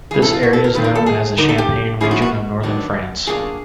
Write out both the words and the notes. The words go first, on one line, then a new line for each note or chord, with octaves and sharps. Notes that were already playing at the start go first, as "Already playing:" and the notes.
This area is known as the Champagne region of Northern France.
E2 C#3 E3 G#4
A4
F4
F#4
A4
A#4
G2 D#3 C4 F4 B4
A#4
A4
G#4
D3 F#3 A#3 D#4 A#4
A4
G4
G#2 F3 A#3 C#4 E4 G#4
F#4
F#4
D#3 F#3 B3 D4
B2 F#3 A#3 D4 F4 G#4